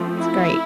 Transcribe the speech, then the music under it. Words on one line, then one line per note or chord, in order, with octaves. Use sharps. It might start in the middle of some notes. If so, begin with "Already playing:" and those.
that's great.
Already playing: F3 A3 C4
E4